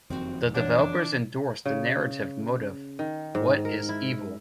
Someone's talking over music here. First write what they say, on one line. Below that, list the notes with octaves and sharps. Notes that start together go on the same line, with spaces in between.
The developers endorsed the narrative motif, what is evil?
F#1 F2 D#3 C4 F#4
E3 D4 C#5 F#5
C#3
D#3
G#2
A#4
E4